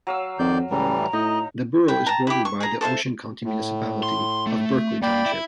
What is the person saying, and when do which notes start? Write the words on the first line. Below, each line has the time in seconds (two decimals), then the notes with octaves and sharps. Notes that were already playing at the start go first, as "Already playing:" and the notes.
The borough is bordered by the Ocean County municipality of Berkeley Township.
0.07 F#3 F5 E6
0.39 F2 D#3 D5 G6
0.71 C#2 A2 E3 G3 A#5
1.13 A2 D#4 D#5
1.88 E4 G5
2.06 A5 A#5
2.27 E4 G4
2.45 C#6
2.60 G#4 A#5
2.81 A4 C5 E5 F5
3.43 A2
4.03 C6
4.47 A3
5.02 A#3 D5 G5 B5
5.26 E4